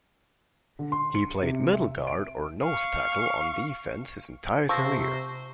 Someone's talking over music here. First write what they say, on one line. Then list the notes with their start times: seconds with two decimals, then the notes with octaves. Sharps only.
He played middle guard or nose tackle on defense his entire career.
0.79 D3
0.92 C6
1.15 C#7
1.43 C3
1.73 E5
2.07 D7
2.63 F5 C#6
4.69 C3 F3 C5 C#6 E6 A#6